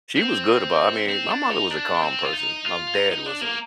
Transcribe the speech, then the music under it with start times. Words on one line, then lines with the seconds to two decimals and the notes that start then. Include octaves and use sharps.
she was good about I mean, my mother was a calm person, my dad was a
0.16 C4
1.08 C4
1.30 D4
1.50 D#4
1.70 D4
2.02 C4
2.25 F4
2.33 D#4
2.65 F4
2.95 D#4
3.11 D#4
3.26 D4
3.41 A#3